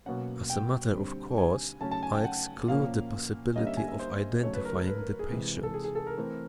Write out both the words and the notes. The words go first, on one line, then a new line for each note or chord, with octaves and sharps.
As a matter of course, I exclude the possibility of identifying the patient.
B2 F#3 A#3 C#4 F#5
G5
D3 G3 C4
G#5
C#3 F#3 A3 C#4 A5
A5
G#5
G5
F#5
A#2 F3 A#3 C#4 F5
D3 G3 A#3 C#4 D#5
E5
G#5
E5
C5
C#3 F#3 A3 C#5
B4
A#4
A4
B4
A#4
G#4
C3 E3 G#3
A4
G#4
G#4
A4
A#4
E3 A3 C4